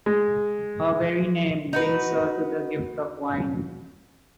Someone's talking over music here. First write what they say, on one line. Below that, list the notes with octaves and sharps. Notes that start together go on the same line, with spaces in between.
Her very name links her to the gift of wine.
G#3
D#4 F#4 B4